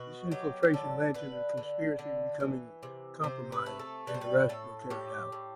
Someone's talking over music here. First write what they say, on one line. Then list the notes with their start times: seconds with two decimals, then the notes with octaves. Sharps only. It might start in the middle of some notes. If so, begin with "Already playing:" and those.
This infiltration led to the conspiracy becoming compromised and arrests were carried out.
Already playing: B2 F#4
0.31 F#3 G4
0.63 G4
0.74 D3 A4
1.14 D3 B4
1.57 D3
1.99 D3
2.40 E3
2.83 C3
3.24 C3 C5
3.52 B4
3.66 A3
3.79 A4
4.07 G3 B4
4.14 C5
4.21 B4
4.49 A2 A4
4.90 A2 G4
5.32 A2